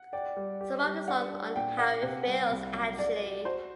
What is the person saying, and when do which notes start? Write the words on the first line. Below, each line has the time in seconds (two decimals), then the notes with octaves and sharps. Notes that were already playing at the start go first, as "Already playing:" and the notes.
Some of the songs on "How It Feels" actually.
Already playing: F#5
0.13 D5 G5
0.37 G3
0.61 G4
0.85 G3
1.08 D4 F#5
1.31 D4
1.56 A#2 G5
1.79 A#3 F#5
2.03 C3
2.26 G3
2.51 C2
2.74 F#3
2.98 A4 D5
3.22 F#4
3.45 F#4 C5